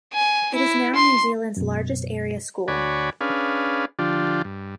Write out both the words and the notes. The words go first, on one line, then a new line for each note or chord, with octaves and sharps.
It is now New Zealand's largest Area School.
G#5
E4
C6
F#2 B2
D2 F#4 C#5 D5 G#5 B5
C#4 D4 G#4 B4 F5
D3 F3 D4 F4 G4
G2